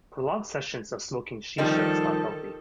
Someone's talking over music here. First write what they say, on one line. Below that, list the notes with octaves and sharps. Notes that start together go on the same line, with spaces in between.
Prolonged sessions of smoking Shisha is not healthy.
D#3 F3 G3 A4